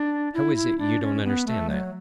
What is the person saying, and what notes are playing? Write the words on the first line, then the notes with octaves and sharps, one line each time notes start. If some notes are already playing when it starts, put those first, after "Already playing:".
How is it you don't understand that?
Already playing: D4
E4
E4
D4
C#4
B3
A3
F#3